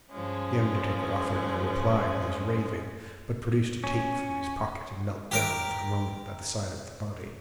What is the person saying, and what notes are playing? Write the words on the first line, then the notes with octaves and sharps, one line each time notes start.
The undertaker offered no reply to this raving; but producing a tape from his pocket, knelt down for a moment by the side of the body.
G2 F3 G#3 C#4
C#4
G4 A#4 D6